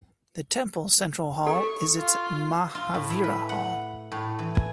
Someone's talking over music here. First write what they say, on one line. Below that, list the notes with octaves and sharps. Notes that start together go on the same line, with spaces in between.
The temple's central hall is its Mahavira Hall.
A4 C#6
F4
F4
A2
E4
B4
F#5
A2
E3
G#5